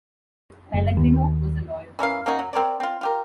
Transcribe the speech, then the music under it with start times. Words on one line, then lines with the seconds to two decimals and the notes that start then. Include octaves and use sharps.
Pellegrino was a lawyer.
0.74 F#1
0.97 D#2
1.99 E3 C#4 A#4 F5
2.26 A#3 C#4 D#4 F#4
2.39 F#3
2.53 C4 A#4 C#5 D5
2.80 C4 F4
3.01 F4 G4 A#4